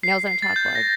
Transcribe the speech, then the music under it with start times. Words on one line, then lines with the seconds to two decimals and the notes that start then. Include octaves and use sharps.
nails on a chalkboard,
0.03 C7
0.27 C7
0.42 A6
0.56 G6
0.75 A#6